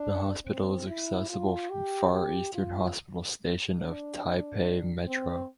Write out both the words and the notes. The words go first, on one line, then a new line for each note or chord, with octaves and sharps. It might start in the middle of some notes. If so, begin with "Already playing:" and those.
The hospital is accessible from Far Eastern Hospital Station of Taipei Metro.
Already playing: D4
C4
E4
F4
G4
G4
F4
D4
C4